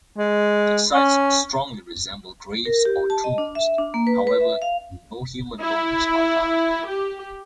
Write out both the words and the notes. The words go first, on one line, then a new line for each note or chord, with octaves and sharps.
The sites strongly resemble graves or tombs; however, no human bones are found.
G#3
C#4
A#4
G4
A5
D#5
D4
E5
D4
A#3
B4
B4
E5
F5
E4
G4